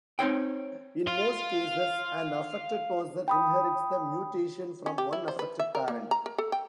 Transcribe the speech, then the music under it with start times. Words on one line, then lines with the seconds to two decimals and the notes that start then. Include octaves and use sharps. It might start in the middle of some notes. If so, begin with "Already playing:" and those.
In most cases, an affected person inherits the mutation from one affected parent.
0.19 C4 D#4 C#5 G5
1.07 F5 C6
3.28 G5 B5 D#6
4.86 C#4
4.98 G4
5.13 E4
5.28 C5
5.39 B4
5.59 E5
5.75 A#4
5.88 A#3
6.11 A#5
6.26 A#4
6.38 A4
6.52 G5